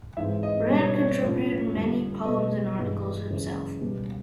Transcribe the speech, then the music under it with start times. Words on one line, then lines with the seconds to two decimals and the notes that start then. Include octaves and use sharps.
Brand contributed many poems and articles himself.
0.17 G#2 E3 G#3 C4 E5
0.43 D#5
0.69 B2 G3 B3 C#5
0.82 C#5
0.95 C#5
1.08 C#5
1.21 A2 F3 A3 C#4
1.73 F2 D3 G3
2.25 B2 G3 B3 D#5
2.77 G2 E3 G#3 B3
3.29 F#2 C#3 E3 G#3 C#4
3.81 B2 G3 B3